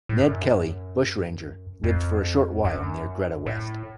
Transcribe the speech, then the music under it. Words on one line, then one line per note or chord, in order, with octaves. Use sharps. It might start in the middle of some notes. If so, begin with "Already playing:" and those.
Ned Kelly, bushranger, lived for a short while near Greta West.
A2
F#2
F2
F#2
A2